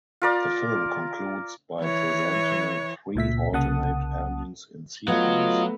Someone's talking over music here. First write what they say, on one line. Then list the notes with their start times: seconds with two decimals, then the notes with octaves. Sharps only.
The film concludes by presenting three alternate endings in sequence.
0.22 F4 A#4 D5
1.80 E3 C#5
3.15 C#2 A#2 E5 B6
3.53 C2 C#3 A#3 F#5 A5 D#6
5.08 F#3 A3 B3 F4 D#5